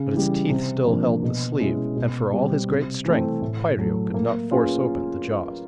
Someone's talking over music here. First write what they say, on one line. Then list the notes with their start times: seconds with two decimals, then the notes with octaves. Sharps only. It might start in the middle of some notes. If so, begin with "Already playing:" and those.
But its teeth still held the sleeve; and, for all his great strength, Kwairyo could not force open the jaws.
Already playing: C#3
0.13 E3 G3
0.50 C3
0.86 F3 A#3 D4
1.23 B2
1.60 G#3 C#4 E4
1.96 B2
2.32 G3 C4
2.69 C3
3.05 E3 A3 C4
3.42 A2
3.78 F#3 A3
4.14 A#3
4.51 C#4 F4 G#4 B4